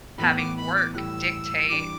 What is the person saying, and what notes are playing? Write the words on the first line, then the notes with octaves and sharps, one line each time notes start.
having work dictate
A2 E3 B3 B5
D6
B5
D6
A2 E3 G3 E6 F#6
E3 G3 D4 D6